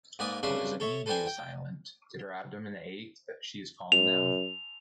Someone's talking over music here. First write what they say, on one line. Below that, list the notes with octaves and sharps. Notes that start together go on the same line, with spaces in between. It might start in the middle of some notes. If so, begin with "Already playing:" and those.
What does it mean he is silent? Did her abdomen ache that she is calm now?
G#2 A#3 B4 D5 G#5 D#6
C2 C#3 D4 B4 E5 C6
A4 C#5 E5
A4 B4 C5 D5 G5 G#5
G5
F#2 F7